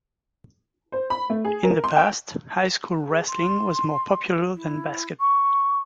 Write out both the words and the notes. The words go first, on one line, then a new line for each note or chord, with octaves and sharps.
In the past, high school wrestling was more popular than basketball.
C5
B5
A3
G#4
A#4
C6
G5
G#4
C6
E4
C#6